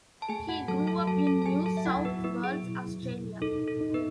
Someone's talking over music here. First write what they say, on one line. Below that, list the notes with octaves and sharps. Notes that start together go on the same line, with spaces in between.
He grew up in New South Wales, Australia.
A5
A3 G#4 G#5
F#4 F#5
F#3 A4 A5
A4 A5
F#3 A4 A5
A4 A5
A5
F#3 G#4 G#5
A4 A5
E5
E4 F#4 F#5
B3 B4
B3 E4 B4
G#4
B2
B2
D#4 A4
A4
D#4
B3 B4